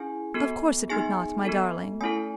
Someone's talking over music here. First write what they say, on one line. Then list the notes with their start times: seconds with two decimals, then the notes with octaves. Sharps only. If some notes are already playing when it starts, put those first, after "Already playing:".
"Of course it would not, my darling."
Already playing: C#4 E4 G#4 G#5
0.34 B3 F#4 A4
0.90 B3 D#4 G#4 G#5
1.45 B3 F#4 A4
2.01 A3 C#4 E4 A4 G#5